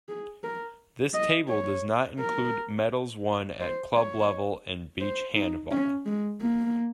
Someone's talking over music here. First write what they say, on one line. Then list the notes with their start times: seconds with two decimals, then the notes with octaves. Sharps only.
This table does not include medals won at club level and Beach Handball.
0.09 G#4
0.43 A#4
1.13 D#5
1.49 C#5
2.19 A#4
3.60 C5
3.95 C#5
5.00 C5
5.35 D#4
5.71 C#4
6.06 G#3
6.41 A#3